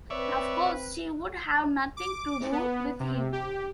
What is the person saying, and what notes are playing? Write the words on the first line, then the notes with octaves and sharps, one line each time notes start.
Of course, she would have nothing to do with him.
C4 B4 C#5 D5 E5
D6
B3
C3
G4